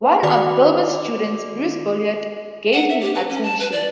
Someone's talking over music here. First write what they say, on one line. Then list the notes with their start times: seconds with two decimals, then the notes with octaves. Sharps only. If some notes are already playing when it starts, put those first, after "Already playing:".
One of Gilbert's students, Bruce Bouillet, gained his attention.
0.23 D#3 F#4 D5 D6 F7
2.73 F#5
2.89 E5
3.01 G4
3.14 B4
3.30 C#4
3.43 A5
3.60 B4
3.72 D5